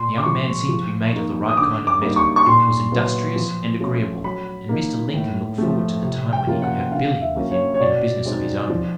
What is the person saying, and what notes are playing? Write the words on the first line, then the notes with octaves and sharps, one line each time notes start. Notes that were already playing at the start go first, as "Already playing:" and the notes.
The young man seemed to be made of the right kind of metal, was industrious, and agreeable, and Mr. Lincoln looked forward to the time when he could have "Billy" with him in a business of his own.
Already playing: A#2 C6
D6
F3 G#3 C#6
F3
A#3 D#4
D#6
D3 D6
D6
G3 A#3 D#4
C#6
C#6
A#2 C6
F#3 B3 E4
F3
A3 C#4 F4
F#3 B5
A#3 D#4
A2
F3 A3
C3
G5
F3 A#3 C#4 F4
F#5
D3 F5
E5
F#3 A#3 C#4 E4
C#5
C#5
B2 D5
G#3 C4 D#4
F3